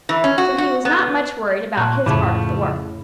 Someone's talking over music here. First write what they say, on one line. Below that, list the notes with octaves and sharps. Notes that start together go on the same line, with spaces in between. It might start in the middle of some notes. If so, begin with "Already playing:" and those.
So he was not much worried about his part of the work.
E3
C#4
F#4
F#4
B3
A#2 A5 C#6 F#6 G6
F2 A2 C#3 F3 A3 E5 B5 D6